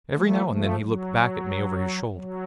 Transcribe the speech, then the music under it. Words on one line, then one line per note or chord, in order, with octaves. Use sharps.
Every now and then he looked back at me over his shoulder.
F3 A3
F3 A3
F#3
F#3